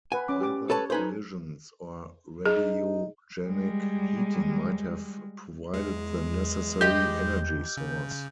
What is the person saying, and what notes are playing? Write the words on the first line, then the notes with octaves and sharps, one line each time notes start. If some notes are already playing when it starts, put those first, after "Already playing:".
Either collisions or radiogenic heating might have provided the necessary energy source.
B4 F#5 G#5
C#4 D6
G4 D6
A4 B4 C#5 A5
D#4 A4 B4 C5 G#5
D#4 G#4
G3 G#3
E2 G#3
G4 D#5 G6
C#3